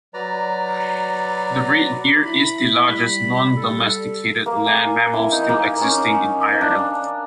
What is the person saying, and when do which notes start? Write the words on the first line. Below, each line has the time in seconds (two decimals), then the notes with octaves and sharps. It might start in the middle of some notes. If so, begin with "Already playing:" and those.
The red deer is the largest non-domesticated land mammal still existing in Ireland.
0.14 F#3 B4 D5 A#5
2.25 E4 B5
2.88 G3
3.57 G3 A4
4.46 A#3
4.66 G#5
5.13 E4
5.32 D#4
5.49 A#3
5.81 C#4
6.61 D4